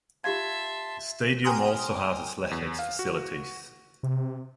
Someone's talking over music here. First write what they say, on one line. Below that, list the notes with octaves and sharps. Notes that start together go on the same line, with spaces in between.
The stadium also has athletics facilities.
F4 G4 E5 F5 A5 C6 G#6
G5 G#5 A#5 C6 D#6 F6
E2
F5
F#4
C3